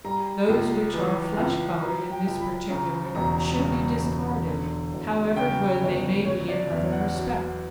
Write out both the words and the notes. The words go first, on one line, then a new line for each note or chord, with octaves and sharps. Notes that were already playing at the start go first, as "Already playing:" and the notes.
Those which are flesh-coloured in this particular should be discarded, however good they may be in other respects.
G3 A#5
C#2
E3
C#2
F#3 A#5
G5
C#2
B5
C#3 A#5
E1 A#5
C#3
E1
D3
E1
C#3 G5
G1 C#5
F#3 C#5
D5
E2 E5
F#5
F#3